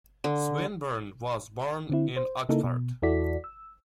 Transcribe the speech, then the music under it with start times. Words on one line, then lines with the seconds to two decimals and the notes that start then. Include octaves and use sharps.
Swinburn was born in Oxford.
0.24 D3
1.90 D3 C4 E4
2.16 C5
2.49 C#3 A#3 D#4 E4 A4
2.64 B2
3.02 E2 E4 F#4 A4 D5 B6
3.44 E6